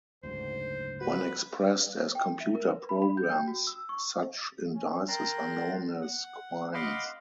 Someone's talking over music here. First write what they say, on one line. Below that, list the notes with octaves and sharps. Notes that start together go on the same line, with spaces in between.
When expressed as computer programs, such indices are known as quines.
F#1 D2 G#2 C5
F#4 B4
G5
E5
A#4
B4
B5
B5
G6
G5
F#4
E6
C#6
C#4
A#4 G5 A5 A#5 C6 F#6
F#5
D#5 F5 F#5 B5 C6 D6